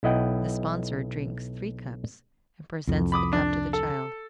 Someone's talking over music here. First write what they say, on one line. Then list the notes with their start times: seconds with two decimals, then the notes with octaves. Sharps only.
The sponsor drinks three cups, and presents the cup to the child.
0.03 B1 E4 D#5 F#5 G5
2.87 C2 F2
3.12 B5 D6 D#6
3.33 D4
3.73 A4